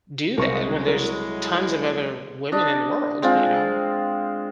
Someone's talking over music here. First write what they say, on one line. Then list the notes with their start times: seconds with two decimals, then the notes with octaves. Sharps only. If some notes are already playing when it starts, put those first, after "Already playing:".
do that when there's tons of other women in the world, you know?
0.38 C2 C3 F#3 G#3 A#4 C5 C#6 C#7
0.85 E4 A4 A#4
2.52 D4 D#5
3.22 G#3 C4 F4